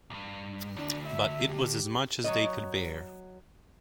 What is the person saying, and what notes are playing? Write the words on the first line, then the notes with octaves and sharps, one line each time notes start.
But it was as much as they could bear.
B1 G2
D2 D4
E5
G4
F#3 C#5 D#5